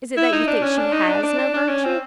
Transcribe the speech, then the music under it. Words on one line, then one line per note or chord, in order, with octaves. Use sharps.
Is it that you think she has no virtue?'
E4
D#4
D4
C#4
D4
D#4
D4
D4
D4
D4
C#4
C4